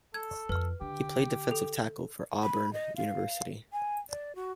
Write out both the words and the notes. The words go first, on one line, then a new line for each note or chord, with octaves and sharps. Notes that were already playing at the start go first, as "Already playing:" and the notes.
He played defensive tackle for Auburn University.
A4 G#6
F2 B4 F6
D3 G4
A4
B5
D#5
F5
G#5
D5
F#4